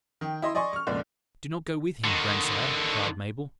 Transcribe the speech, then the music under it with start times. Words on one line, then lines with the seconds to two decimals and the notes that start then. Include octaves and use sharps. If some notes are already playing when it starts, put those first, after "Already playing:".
"Do not go with him, grandsire," cried Mabel.
0.21 D#3 G5
0.42 E4 D#5 C6
0.55 D5 D#5 G#5 C6 C#6
0.73 C#6 F6
0.87 F1 C#2 A#2 D5
2.05 D3 D#3